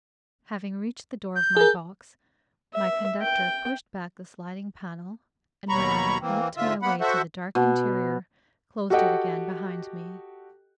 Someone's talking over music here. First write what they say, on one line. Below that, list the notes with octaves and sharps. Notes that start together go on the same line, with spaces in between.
Having reached the door of my box, my conductor pushed back the sliding-panel, and when I had groped my way to the dark interior, closed it again behind me.
G6
G#4 A#4
E5
G5
D#2 B2 F#3 A#5 B5 C#6
E3 A#3 C4
G#2 D3 F4 E5
A#3 B3 F#5 B5
F#4 A4 C5 E5 F#5
B2
F#4 G4 A4 D#5 F#5 G5